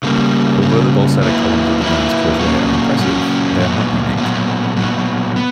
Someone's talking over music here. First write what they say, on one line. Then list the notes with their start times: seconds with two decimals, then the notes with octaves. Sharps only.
Although the basaltic columns of the Giant's Causeway are impressive, they are not unique.
0.03 C#3 G3 A#3
0.62 C#3 G3 A#3
1.21 F#3 A#3 E4 B4
1.81 F#3 A#3 E4 B4
2.39 A#2 F#3 A#3 C#4 F#4
2.99 A#2 F#3 A#3 C#4 F#4
3.59 A#2 F#3 B3
4.18 A#2 F#3 B3
4.76 A#2 F#3 B3
5.36 B3